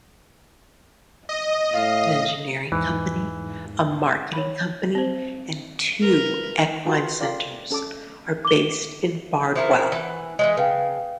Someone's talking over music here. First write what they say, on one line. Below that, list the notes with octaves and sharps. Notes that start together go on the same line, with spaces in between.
An engineering company, a marketing company and two equine centres are based in Bardwell.
D#5
A2 F5
E2 G#2 E3
C#5 B5
C4 C5
A#4 B4
D#4 F4 F#4 B4 A5
F4 A4 A#4 D5 F5 G5
C#4 A4 A5 D6
D6 G7
F3 E4 A#4
E3 F#5
E3 F3 G#3 D#5
C#3 B4 F5 G5